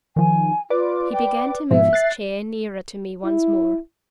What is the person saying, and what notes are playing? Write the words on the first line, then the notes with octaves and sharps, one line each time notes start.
He began to move his chair nearer to me once more.
D#3 F3 G#5
F4 B4 D5 D6
G5
G#2 B2 F3 E5
F#6 A6 C7
E4